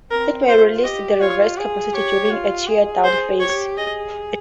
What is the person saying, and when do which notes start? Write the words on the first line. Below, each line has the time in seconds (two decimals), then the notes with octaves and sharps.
It may release the reserved capacity during a tear down phase.
0.11 C4 A#4
0.48 F4 C5
0.84 G4 D#5
1.21 F4 C#5
1.58 G#4
1.94 G4 C#5
2.31 F4
2.68 G#4
3.04 C5
3.40 G4 C#5
3.78 G#4 D#5